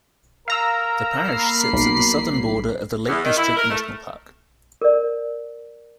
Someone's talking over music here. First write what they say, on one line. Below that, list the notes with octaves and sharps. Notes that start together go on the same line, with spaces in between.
The Parish sits at the southern border of the Lake District National Park.
A#4 F5 A#5 E6
A#3 B5 C7
B1
E2
D#3
E4
A#4
A3
A#4 D5